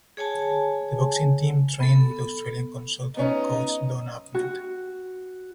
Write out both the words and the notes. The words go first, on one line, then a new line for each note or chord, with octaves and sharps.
The boxing team trained with Australian consultant coach Don Abnett.
G#4 C#5 G#5 A5
B3 A4
B3 C#4 D#4
F#4